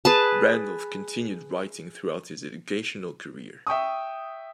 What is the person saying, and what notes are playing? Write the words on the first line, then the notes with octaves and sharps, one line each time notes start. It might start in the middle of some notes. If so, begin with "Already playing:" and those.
Randolph continued writing throughout his educational career.
G#4 B4 A5
E5 G5 C#6 D#6